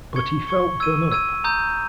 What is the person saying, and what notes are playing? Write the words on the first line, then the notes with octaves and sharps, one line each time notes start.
But he felt done up.
C#6 G#6 C#7 G7
C#6 G#6 C#7 G7
E6 G#6 D#7
E6 G#6 D#7
A#5 D#6 G6